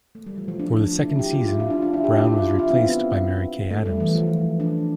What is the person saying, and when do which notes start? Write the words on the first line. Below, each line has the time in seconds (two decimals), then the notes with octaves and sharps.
For the second season, Brown was replaced by Mary Kay Adams.
0.15 A3
0.26 G3
0.38 F3
0.48 F3
0.59 D4
0.93 F4
1.05 E4
1.19 G4
1.33 F4
1.49 E4
1.60 F4
1.70 D4
1.82 D4
1.93 E4
2.04 G4
2.16 F4
2.26 E4
2.37 F4
2.49 F4
2.59 E4
2.71 C4
2.82 B3
3.71 A3
3.86 G3
4.00 E3
4.15 F3
4.60 D4